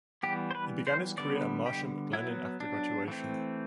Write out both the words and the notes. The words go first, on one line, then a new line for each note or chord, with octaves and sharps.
He began his career at Marsh and McLennan after graduation.
E3 G3 B3 G4
C5
B4
C5
D3 G3 B3 D5
G4
F#3 B3 E4
D4
E3 A3 C4